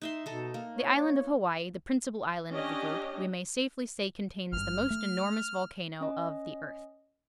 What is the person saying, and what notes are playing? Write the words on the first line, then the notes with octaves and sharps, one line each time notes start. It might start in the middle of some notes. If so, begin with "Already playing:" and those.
The Island of Hawaii, the principal island of the group, we may safely say contains the most enormous volcano of the earth.
D#4 E5 C6
B2 D#4 A4
A#3
C#5
C#4 D4 G4 D#5
G#1 G2 F6
A3
C#4 D#5